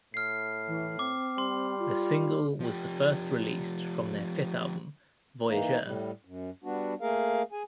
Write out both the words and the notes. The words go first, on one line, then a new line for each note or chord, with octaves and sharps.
The single was the first released from their fifth album, "Voyageur".
A2 F6 C7
E3
C4 D6
G3 C6
F4
F3 G4
E3 A#3 D#4
A2 G3
F#2
G3 B3 D4 F#4
A3 A#3 G#4 A#4 F5
G#4 G#5